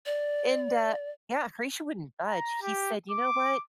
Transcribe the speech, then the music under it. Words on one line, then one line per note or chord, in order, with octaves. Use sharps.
And, uh Yeah, Horatio wouldn't budge. He said, "You know what?
D5
A#5
G4
D6